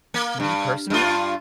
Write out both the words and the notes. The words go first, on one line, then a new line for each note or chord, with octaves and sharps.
me, personally?
A#3
G2
G2 F4